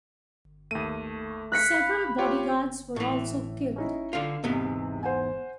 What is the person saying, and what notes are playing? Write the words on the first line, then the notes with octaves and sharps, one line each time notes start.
Several bodyguards were also killed.
D#2 A3 D#7
F#6 B6 C#7
F5 B5
F4 G4 C#5
A2 E3
C#4 D#4 E4
D3 F4 C7
E2 G#2 C3 B3
C5 F#5 G#5